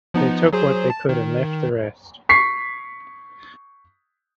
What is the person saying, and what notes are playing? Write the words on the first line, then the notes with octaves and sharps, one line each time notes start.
They took what they could and left the rest.
F3 B3 D#4
F#3 G#4 C5
A5
D#3
C#6 B6 C7